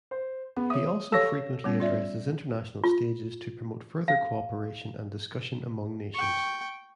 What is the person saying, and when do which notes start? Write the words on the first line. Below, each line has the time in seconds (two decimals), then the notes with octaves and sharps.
He also frequently addresses international stages to promote further cooperation and discussion among nations.
0.11 C5
0.57 B3 G#4
0.70 C#5 E5 D#6
1.12 G4 A4 C#5 F5 E6 A#6
1.64 G3 B3 C#4
1.80 F4 D5 E5
2.84 F4
4.08 F5
6.14 G5 C#6